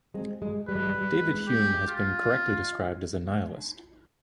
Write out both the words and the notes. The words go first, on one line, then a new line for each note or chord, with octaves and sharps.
David Hume has been correctly described as a nihilist.
G#3 C4
G#3
G3 B4
G#3
G3
G3
G#3
G4
F4